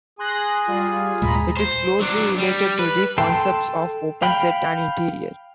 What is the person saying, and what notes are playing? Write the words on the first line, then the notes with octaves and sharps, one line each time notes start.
It is closely related to the concepts of open set and interior.
G#4 G#5 C6 F#6 A#6
G3 F4
D#2 A#2 G#3 A#5 B5
C5
F#3 D4
G3
B4
A4 G5 A5 C6
F5 G5 B5